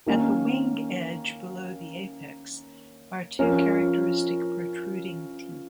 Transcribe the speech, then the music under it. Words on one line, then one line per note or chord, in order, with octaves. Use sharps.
At the wing edge below the apex are two characteristic, protruding teeth.
D#3 A#3 C#4
F3 C#4 A#4 C#5